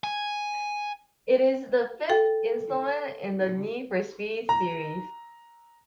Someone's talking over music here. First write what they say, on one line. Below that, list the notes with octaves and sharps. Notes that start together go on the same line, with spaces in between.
It is the fifth installment in the "Need for Speed" series.
G#5
A4 G5
A#5